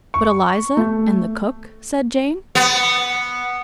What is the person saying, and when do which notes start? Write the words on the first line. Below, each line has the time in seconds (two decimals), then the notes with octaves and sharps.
'But Eliza, and the cook?' said Jane.
0.14 C#6
0.77 A3
2.55 B3